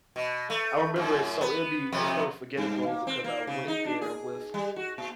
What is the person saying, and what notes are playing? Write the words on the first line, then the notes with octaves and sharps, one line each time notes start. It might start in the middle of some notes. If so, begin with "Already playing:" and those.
I remember it so it'll be it's never forgettable because I went there with
B2
A3
F#2 A2
B3
F2 C3 B3
G2
A#3
C4
A#3
C#3
D#4
D4
G#4
G3
F#4
A#2